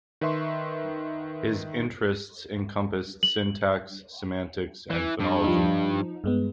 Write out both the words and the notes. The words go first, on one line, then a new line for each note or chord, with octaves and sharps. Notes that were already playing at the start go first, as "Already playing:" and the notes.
His interests encompassed syntax, semantics and phonology.
D#3 B4 E5 C6 C#6
F#7
E3
G2
F3 D#4
G2 G#3 B3